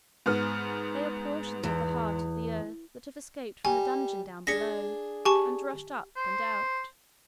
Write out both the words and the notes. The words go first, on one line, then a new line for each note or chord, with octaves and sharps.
They are portions of the heart of the earth that have escaped from the dungeon down below, and rushed up and out.
G#2 B3 F6
E2
G3 G#5
D4 G#4 A#6 B6 C#7
G4 G#5 A5 C#6
C5